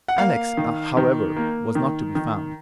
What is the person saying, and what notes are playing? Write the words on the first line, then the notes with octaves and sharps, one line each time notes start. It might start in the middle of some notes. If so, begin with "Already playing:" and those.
Alex, however, was not to be found.
F#5
A#3 F5
D#3
D#3
A#3
D#3
D#3